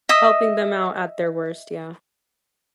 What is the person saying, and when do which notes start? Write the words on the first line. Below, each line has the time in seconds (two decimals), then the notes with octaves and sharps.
Helping them out at their worst, yeah.
0.09 D#5 E5 D#6